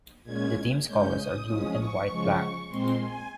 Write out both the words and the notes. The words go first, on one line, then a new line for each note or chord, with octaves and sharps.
The team's colors are blue and white-black.
A#2 G#3 C#4 G#6
C#3 G#3 C#4 G6
D#6
F3 G#3 C#4 D#6
C#6
C#3 F3 G#3
A#2 G#3 C4 C6
G#5